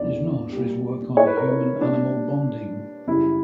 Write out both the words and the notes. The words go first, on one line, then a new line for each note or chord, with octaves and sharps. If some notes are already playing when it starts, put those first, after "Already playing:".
He is known for his work on human–animal bonding.
Already playing: E2 D3 D5
A#2 G3
C#5
B4
A#4
B4
A#2 G3 D4
F#2 C#3 G3 E4